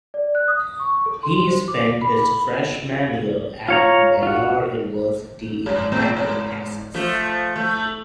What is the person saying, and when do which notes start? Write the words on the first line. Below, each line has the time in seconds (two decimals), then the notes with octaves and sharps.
He spent his freshman year at Baylor University in Waco, Texas.
0.14 D5
0.35 F#6
0.48 D#6
0.80 C#6
1.06 A4
1.23 C6
1.48 C5
1.68 D6
2.01 B5
2.19 B5
3.69 F4 C#5 A#5
4.23 F4 F#4
5.66 G#2
5.92 A2 G#3 C4
6.17 G#2
6.94 F3 A3
7.56 A3